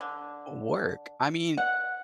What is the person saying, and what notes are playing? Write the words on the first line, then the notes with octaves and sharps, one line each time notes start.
work. I mean,
D3
F#5